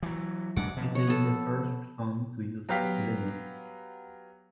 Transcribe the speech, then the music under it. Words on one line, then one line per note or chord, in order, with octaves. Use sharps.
It is the first phone to use Linux.
E3 F#3
F#2 G#3 D4 F#5 D6
B2 F3
C#5 F#5
B3 A4
F#3 B3 G4 F5 G5 B6